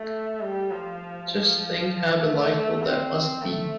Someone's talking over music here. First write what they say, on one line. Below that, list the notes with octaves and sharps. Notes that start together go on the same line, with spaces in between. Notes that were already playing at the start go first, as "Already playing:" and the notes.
Just think how delightful that must be!
Already playing: A3
G3
F3
F3
A3
C4
A3